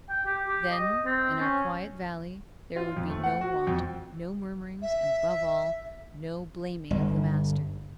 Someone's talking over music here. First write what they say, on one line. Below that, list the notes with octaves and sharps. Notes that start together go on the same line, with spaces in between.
Then in our quiet valley there would be no want, no murmurings, and, above all, no blaming of the master.
G5
G4
G4
D#5
C4
C#4
F4
F2
A3
F#5
F#4
F2
E5
G1